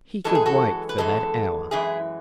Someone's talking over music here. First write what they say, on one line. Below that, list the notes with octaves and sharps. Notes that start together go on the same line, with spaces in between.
He could wait for that hour.
F#2 E3 G#3 A4
G#4
F#4 A4
B4
F#2 E3 G#3 A4
F#2 E3 G#3 E4 G#4